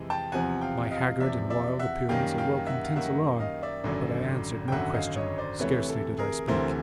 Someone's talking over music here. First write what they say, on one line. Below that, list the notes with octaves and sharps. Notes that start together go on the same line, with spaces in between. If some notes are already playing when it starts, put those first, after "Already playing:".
My haggard and wild appearance awoke intense alarm, but I answered no question, scarcely did I speak.
Already playing: F2 C3 E3 G#3
G5 A5
E2 C3 F3 F#5 G#5
F5 G5
D#5 F5
E2 C3 F3 D5 E5
D5 E5
E5 F#5
F#2 D#3 G3 A#3 F5 G5
F5 G5
E5 F#5
F5
F#2 D#3 G3 A#3 E5 F#5
D#5 F5
D5 E5
G#1 F#2 D3 F#3
G5
G#1 F#2 D3 F#3 E5 F#5
D#5 F5
C#5 D#5
C5 D5
D2 C3 E3 A3 B4 C#5
A4
G#4 A#4
D2 C3 E3 A3 A#4 C5